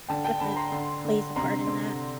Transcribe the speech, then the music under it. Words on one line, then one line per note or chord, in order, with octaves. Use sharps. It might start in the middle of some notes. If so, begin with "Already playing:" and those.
different plays a part in that.
D3 G5 A5
G5 A5
D3 A5 B5
A#5 C6
D3
D3
C3 A#5 C6
C3